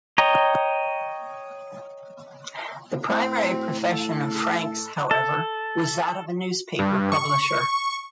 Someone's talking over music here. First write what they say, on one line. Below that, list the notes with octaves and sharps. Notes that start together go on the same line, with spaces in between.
The primary profession of Franks, however, was that of a newspaper publisher.
C#5 D#5 G5 A#5
A2 C4
A4
A4
G2
C#6